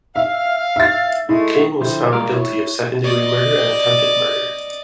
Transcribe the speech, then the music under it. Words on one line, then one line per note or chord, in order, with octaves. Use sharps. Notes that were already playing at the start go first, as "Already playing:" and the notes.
King was found guilty of second-degree murder and attempted murder.
E5 F5
E5 A6
G#3 A3 E4
D3 F3 E4 G4 C5 C6
G3 G#3 A#4 F5 D6 F6
E4 C#5
D5 D#5